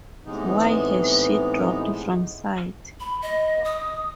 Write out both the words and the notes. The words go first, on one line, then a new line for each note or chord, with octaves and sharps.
Why has she dropped from sight.
A2 C3 E3 G#3 B3 D#4
B5
D#5
D#6